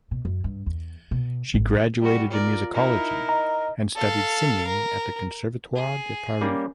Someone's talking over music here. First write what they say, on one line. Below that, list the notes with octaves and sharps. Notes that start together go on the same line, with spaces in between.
She graduated in musicology and studied singing at the Conservatoire de Paris.
B2
F#2
G2
E2
B2
G#1 A2
G3 F#4 D5
F4 A#4 D5
D#4 E4 A#4
D#5 A#5
A4 F5
A#4
G#4
G3 A#3 C#4